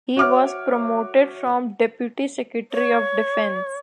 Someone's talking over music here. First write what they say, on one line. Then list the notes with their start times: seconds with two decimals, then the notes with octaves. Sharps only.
He was promoted from deputy secretary of defense.
0.16 F#4 C#5 E5 D6 F6
2.72 C#5